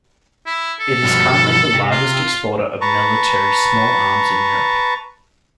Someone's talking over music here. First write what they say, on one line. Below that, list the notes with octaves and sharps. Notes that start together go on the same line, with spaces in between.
It is currently the largest exporter of military small arms in Europe.
E4
A4
G2 B2 F3
C3
F4
B4 A5 A#5 C#6